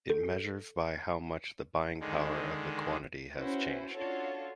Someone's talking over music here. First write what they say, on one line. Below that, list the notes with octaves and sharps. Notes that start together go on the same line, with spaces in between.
It measures by how much the buying power of the quantity has changed.
A4
D3 D#3 G#3
C#4 E4 F#4 B4 C5
D4 F4 F#4 A4 C#5